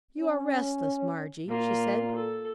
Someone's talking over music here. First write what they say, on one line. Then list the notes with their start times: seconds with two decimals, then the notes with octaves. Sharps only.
"You are restless, Margie," she said.
0.20 C#4
1.48 A#2 A#3 F4
2.16 A4